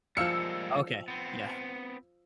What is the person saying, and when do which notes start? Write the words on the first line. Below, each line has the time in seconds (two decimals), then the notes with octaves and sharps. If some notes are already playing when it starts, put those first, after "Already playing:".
Okay, yeah.
0.17 F3 G3 G#3 A#3 F5 E6 C#7
1.08 B3 C4